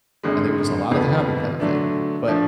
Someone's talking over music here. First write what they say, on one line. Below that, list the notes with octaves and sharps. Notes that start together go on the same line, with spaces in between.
and they were just allowed it to happen kinda thing, but
G#1 F#2 D3 G#3
F2 F3 B3
D3 F#3 A3 D4
F3 A3 D4